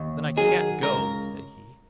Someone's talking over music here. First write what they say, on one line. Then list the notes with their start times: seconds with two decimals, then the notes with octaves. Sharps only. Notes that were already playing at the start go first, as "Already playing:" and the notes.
'Then I can't go,' said he.
Already playing: D#2
0.37 D#3 F#3 G#4
0.82 C#2 A#4